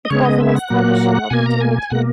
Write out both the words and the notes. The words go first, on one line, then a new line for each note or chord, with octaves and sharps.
It was an astonishing opportunity.
D#5
C#3 G#3 B3 C#5
D#5
E5
F#5
A#2 F#3 A#3
B2 A#3 G#5
A#5
G#5
B2 A#3 F#5